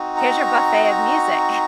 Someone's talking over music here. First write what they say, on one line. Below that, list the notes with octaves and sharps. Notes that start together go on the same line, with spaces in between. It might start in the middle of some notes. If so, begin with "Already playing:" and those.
here's your buffet of music.
Already playing: C4 D#4 F#4
A#5 C#6